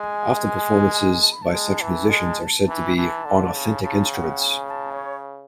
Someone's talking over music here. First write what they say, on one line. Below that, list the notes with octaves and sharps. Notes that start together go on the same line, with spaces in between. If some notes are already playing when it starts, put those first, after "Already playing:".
Often performances by such musicians are said to be "on authentic instruments".
Already playing: G#3 G#5
A5
B5
A5
G#3
E3
G#3
E3
E3 A5
D3
C#3
G#5
C#3 A5
F#5
G#5
G#5
A5
C#5